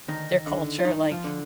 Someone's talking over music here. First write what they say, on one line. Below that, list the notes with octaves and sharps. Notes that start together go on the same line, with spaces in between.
their culture, like
D2 D#3 D#4
D3
F4
G2 D#3 D#4
F3 F4
D3